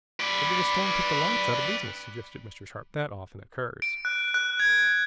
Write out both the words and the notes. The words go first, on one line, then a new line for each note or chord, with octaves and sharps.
"Maybe the storm put the lights out of business," suggested Mr. Sharp. "That often occurs."
B4 D5
D7
F#6
F#6
G#6